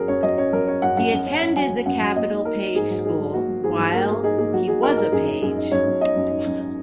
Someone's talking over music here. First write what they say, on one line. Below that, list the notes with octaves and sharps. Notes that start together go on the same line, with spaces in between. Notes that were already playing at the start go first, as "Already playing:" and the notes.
He attended the Capitol Page School while he was a Page.
Already playing: F#3 C#4 G#4 A#4
F#2 C#5
F#3 D#5
C#4 C#5
F#3 A#4
C#4 C#5
F#2 F#5
F#2 F#5
F#2
C#4
C#4
F#3 G#5
F#3
F#2 F#5
F#3
A#3 D#5
D#4
D#4 A#4
D#4
G#2 G#4
F#3
D#4 G#4
F#3
A#3 F#4
F#3
G#2 G#4
F#3
A#3 A#4
A#3 G#4
D#4 G#4
A#3 G#4
F#3 F#4
D#4 G#4
D#4 A#4
D#4 A#4
F#2 G#4
D#4
F#2 G#4
D#4
F#2 C#5
F#2
D#4 D#5
F#2
D#4
F#2
D#4